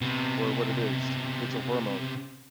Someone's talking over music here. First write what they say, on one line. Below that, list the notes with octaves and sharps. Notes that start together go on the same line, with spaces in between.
or what it is? It's a hormone.
C3 B3